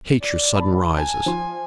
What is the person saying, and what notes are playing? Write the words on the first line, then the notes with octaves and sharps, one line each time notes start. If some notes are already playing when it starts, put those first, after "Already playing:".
I hate your sudden rises.
D5
A5 B5
G#5 A5
F3 C6